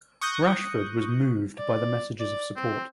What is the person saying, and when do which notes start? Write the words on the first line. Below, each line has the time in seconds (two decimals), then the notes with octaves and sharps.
Rashford was moved by the messages of support.
0.21 C#6 D#6 F#6 G6 A#6
1.59 D5
2.20 D5
2.56 C4